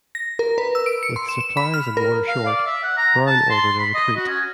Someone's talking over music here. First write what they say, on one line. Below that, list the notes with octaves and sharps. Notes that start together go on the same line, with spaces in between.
With supplies and water short, Brown ordered a retreat.
A#6
A#4
B4
E6
D7
C#7
C6
E7
E7
B5
F6
A#4
F5
D5
E5
F#5
A#5
A5
C6
B5
D#5
F#4
C#4